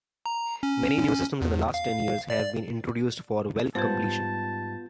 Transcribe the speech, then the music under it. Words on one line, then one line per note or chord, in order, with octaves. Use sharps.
Many new systems in the last ten years have been introduced for well completion.
A#5
C#4
E2
F5
D5
G#2 G3 B3 F4 B4 C5 A5 G6